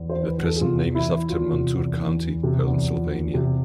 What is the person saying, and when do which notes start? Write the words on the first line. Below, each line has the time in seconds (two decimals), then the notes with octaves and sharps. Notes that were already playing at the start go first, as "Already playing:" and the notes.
The present name is after Montour County, Pennsylvania.
Already playing: E2
0.10 C5
0.16 E3
0.27 B4
0.38 E2
0.44 A4
0.56 G#4
0.61 C3 F4
0.84 E2
0.95 E4
1.07 E3
1.29 E2 F4
1.53 C3
1.75 E2
1.97 E3
2.20 E2
2.43 C3
2.66 E2
2.88 F3
3.11 E2
3.34 C3